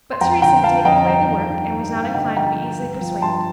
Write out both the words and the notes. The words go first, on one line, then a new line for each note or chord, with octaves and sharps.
But Teresa had taken away the work, and was not inclined to be easily persuaded.
C6
F2 G5 A#5
D3 G5 A#5
F3 F5 A5
F2 D#5 G5
G2 G5 A#5
D#3
G2
D#3
G2
F5
D3 D#5 G5
F3 G5 A#5
G2
G2
F3
G2 A5 C6